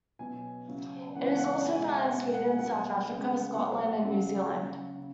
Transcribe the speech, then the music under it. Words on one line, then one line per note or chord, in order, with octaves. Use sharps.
It is also found in Sweden, South Africa, Scotland, and New Zealand.
B2 F#3 G#5
C#3 F#3
C#3 E3 G#3 F#5
F#5
F#5
F#5
B2 G#3 G#5
G#5
E5
F#5
B2 G#3 F#5
F#5
G#5
B2 F#3 F#5
C#3 G#3
B2 F#3 F#5
F#5
C#3 F#3
C#3 F#3
C#3